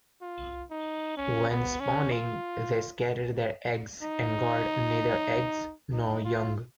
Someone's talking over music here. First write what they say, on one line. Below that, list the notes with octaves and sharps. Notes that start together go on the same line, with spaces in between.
When spawning, they scatter their eggs and guard neither eggs nor young.
F4
D#4
C#4
B3
C#4
F4
D#4
D#4
F4